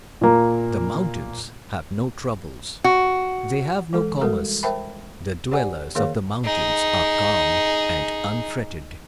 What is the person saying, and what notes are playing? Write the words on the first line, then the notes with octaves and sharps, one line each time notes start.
The mountains have no troubles; they have no commerce. The dwellers of the mountains are calm and unfretted.
A#2 A#3
F#4
E3 G#3 A4
G3 G#3 F#4 A4 A#4
A#4 C5 E5 G5 A5 B5
G4 C5 D5 F#5 G#5
D#3 A#3 G#4 A#4 C#5 F5
D#4 G#4